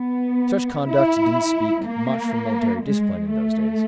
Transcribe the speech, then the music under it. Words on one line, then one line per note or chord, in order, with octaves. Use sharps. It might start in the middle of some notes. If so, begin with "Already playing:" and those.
Such conduct didn't speak much for military discipline in those days.
Already playing: B3
E4
A#3
G#3
A3